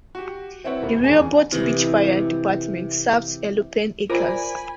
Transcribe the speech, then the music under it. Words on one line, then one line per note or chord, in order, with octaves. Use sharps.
The Rehoboth Beach Fire Department serves Henlopen Acres.
F#4 G4
C4 E4 B4 C#5 F#5
D#1 A#3 B3
E2 C#4 G#4
C3 E3 D#5
F4 A#4 C5 D5 G#5 B5